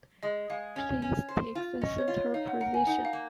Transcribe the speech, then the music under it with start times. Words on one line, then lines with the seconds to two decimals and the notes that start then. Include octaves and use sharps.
Please take the centre position.
0.23 G#3 D#5
0.50 G#3 F5
0.76 C#4
1.02 C#4
1.29 C5
1.55 F4
1.81 C#4 D#5
1.98 C#5
2.08 F4
2.17 C#5
2.34 D#4 F5
2.48 F#5
2.61 A#4 F#5
2.74 G#5
2.87 D#4 F#5
3.05 F5
3.13 A#3